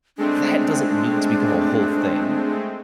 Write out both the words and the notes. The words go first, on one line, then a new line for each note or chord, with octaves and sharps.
That doesn't need to become a whole thing.
G#3 A3 C4 D4